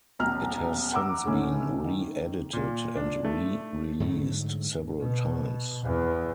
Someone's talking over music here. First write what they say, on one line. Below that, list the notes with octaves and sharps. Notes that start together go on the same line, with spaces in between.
It has since been re-edited and re-released several times.
D#1 B1 A#5 F6
F#5 A#5 D6 E6
A2 D3 A3 C#4 D#4
D#3
A#2
D4
A3
G#2 D3 F#3 A3
B2
E2